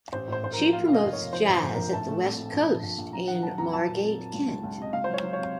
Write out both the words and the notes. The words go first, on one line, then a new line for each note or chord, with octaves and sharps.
She promotes Jazz at the Westcoast in Margate, Kent.
A1 C5
A2 C5
A1 C5
A#4
F3
A#3 F4
F1 F5
D#5
F1
F1 C#5
F3 C5
A#1
C5
A#1
A#1 A#4
A2 A5
A3
C4
A3
A#1
F3
A#1
A#1
F#3 A#5
D#3 F#5
F#3 A5
F2 A#5
F#3 A5
A#2
C4
F#3
C#2
C#2
C#2
C3 D#5
C#2 F5
C5
F#3
C#5
F#3
C#5
C3